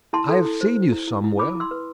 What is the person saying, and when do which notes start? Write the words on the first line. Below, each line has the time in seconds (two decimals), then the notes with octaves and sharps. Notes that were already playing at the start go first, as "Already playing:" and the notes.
"I have seen you somewhere."
0.13 E4 A5 C6
0.29 A4
0.45 E4
0.61 C5
0.76 C5
0.92 E4
1.08 E4
1.24 E4
1.39 E4 B5 D6
1.55 E4
1.60 C6 E6
1.71 B4